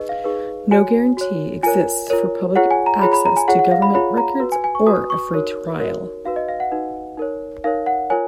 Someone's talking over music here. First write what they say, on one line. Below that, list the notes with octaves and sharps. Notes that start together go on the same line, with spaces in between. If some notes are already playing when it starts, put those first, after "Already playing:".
No guarantee exists for public access to government records or a free trial.
Already playing: D#4 G#4 B4 D#5
F5
D#4 G#4 B4
F#4 C#5 G#5
F#4 C#5
F4 A#4 C#5 G#5
F4 A#4 C#5
F4 G#4 C#5 F#5
G#5
A#5
F4 G#4 C#5 B5
B5
A#5
G#5
F4 G#4 C#5 F#5
F#5
F5
B5
F4 G#4 C#5 B5
A#5
F#4 B4
G#5
G#5
C#6
F#4 B4 D#6
C#6
D#4 F#4 A#4 C#5
D#4 F#4 A#4 C#5
D#4 F#4 B4 F5
D#5
F5
F#5
D#4 F#4 B4
D#4 A#4 C#5
D#4 A#4 C#5 F5
F#5
F4 A#4 C#5 G#5